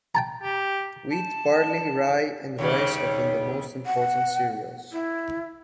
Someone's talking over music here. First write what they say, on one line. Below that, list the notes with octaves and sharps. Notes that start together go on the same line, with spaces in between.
Wheat, barley, rye and rice have been the most important cereals.
G5 A5 A#5
G4
A5
D#2 C#3 G3 C#5
F#5
E4